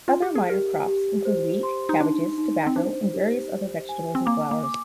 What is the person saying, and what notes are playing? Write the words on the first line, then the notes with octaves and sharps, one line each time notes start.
Other minor crops include wheat, cabbages, tobacco, and various other vegetables and flowers.
F4
G4
G#4
G4 A#4
G4
C5
C6
D#4
D4 D#4
D#4
C4
D4 C5
G4
C5
G#5
C4
A#3 D6
A#3
D6